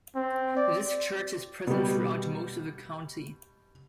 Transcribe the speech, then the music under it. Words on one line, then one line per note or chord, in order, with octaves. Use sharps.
This chert is present throughout most of the county.
C4
D5
B2 G3